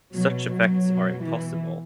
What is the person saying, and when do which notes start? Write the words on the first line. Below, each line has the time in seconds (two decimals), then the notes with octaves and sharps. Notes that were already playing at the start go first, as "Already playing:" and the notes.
Such effects are impossible.
0.14 B2 F#3
0.51 F#3
0.87 B2
1.25 E3